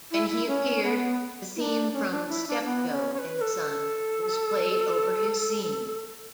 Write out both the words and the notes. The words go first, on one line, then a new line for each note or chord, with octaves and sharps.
When he appeared, the theme from "Steptoe and Son" was played over his scene.
E4
E4
C#4
B3
E4
D4
C#4
D4
E4
D4
B3
C#4
C#5
B4
B4
A4